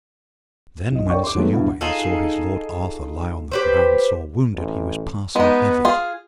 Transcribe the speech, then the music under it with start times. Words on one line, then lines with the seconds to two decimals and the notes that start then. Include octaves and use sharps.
Then when Sir Uwaine saw his lord Arthur lie on the ground sore wounded, he was passing heavy.
0.92 B1 D#5
1.09 A#4 C#5 D5 G5 C#6
1.23 C6 D6
1.35 D#3 F#3 G#3 A3 B3
1.53 G2 B2 E4 F#4
1.81 D#4 F4 G#4 A4
3.51 G4 B4 C5
4.54 A1
5.36 G#3 B3 D#4
5.85 F4 G#4